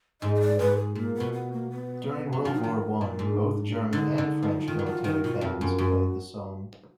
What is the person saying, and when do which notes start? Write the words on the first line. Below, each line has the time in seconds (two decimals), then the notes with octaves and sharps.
During World War One, both German and French military bands played the song.
0.21 G#2 D#5
0.35 D#5
0.40 D5
0.59 G#2 B4
0.77 G#4
0.95 A#2 A#3
1.15 B3
1.20 B2
1.33 B3
1.52 A#3
1.70 B3
2.33 F#3
2.44 F3 D4
2.54 D#4
2.63 D#3 D4
3.01 A#2
3.19 G#2
3.93 D3 D#4
4.18 D3
4.43 F3
4.68 D#3 F4
4.79 F#3
4.86 F3 F4
5.04 D#3 D#4
5.24 B2 F4
5.41 F2
5.61 F#2
5.78 F#2 F#4